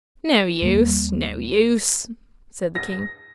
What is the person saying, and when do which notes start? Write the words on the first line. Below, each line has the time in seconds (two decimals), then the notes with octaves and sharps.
'No use, no use!' said the King.
0.62 D#2 G3 A#3
2.75 A#6